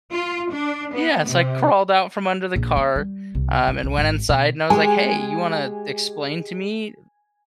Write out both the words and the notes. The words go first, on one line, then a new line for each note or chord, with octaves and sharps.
Yeah, so, I crawled out from under the car, um, and went inside, and I was, like, "Hey, you wanna explain to me,
F4
D4
B3
C3
A#1
A#3
G3
C2
B1
C2
G#1
B2
G#3 G4 G#5